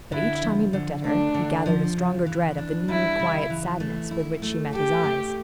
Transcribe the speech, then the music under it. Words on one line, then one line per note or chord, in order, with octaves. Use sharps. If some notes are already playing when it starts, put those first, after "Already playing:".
But each time he looked at her, he gathered a stronger dread of the new, quiet sadness with which she met his eyes.
D3 E4
F3
D3
A3 D4
D3
F3
C#3
E3
D4
G3 E4
C#3
E3
A3
E4
A3
G4 A4
A3